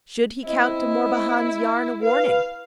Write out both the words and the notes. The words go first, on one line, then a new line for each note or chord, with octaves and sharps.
Should he count De Morbihan's yarn a warning?
C4 E4 D#5
B4 F5